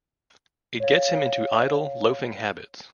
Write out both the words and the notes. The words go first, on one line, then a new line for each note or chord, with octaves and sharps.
It gets him into idle, loafing habits.
C#5 F5